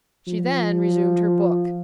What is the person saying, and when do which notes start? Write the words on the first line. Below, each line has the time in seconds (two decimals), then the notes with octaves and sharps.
She then resumed her book.
0.27 F3